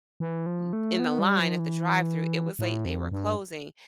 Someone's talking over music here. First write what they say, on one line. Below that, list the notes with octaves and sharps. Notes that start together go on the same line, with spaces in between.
th in the line at the drive-thru, it was late, they were closing,
E3
F3
A3
B3
G3
F3
E3
A2
F2
G2